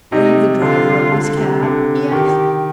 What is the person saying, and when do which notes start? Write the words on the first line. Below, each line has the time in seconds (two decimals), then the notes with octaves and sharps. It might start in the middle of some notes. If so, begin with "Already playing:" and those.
"Are you the driver of this cab?" he asked.
0.12 C3 D#4
0.62 D3 F4
1.12 D3
1.37 C3
1.63 D3
2.12 D#3 G4